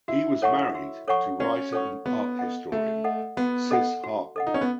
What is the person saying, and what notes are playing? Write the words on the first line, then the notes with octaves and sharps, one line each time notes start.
He was married to writer and art historian Sys Hartmann.
E4 F#4
A4 C#5 F#5 C#6
F#4
A4 C#5 F#5 C#6
C#4 F#4
A4 C#5 F#5 C#6
B3 F#4
A4 D#5 F#5
A3 F#4
A4 D#5 F#5
B3 F#4
A4 D#5 F#5
F#4
A4 D#5 F#5
D#4
C#4
B3